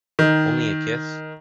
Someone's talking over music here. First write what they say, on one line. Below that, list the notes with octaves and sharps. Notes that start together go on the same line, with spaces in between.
Only a kiss?
D#3